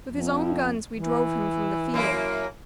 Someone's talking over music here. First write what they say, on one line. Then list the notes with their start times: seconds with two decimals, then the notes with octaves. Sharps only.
With his own guns we drove him from the field.
0.09 F2
0.95 E3
1.94 F#2 A#3 E4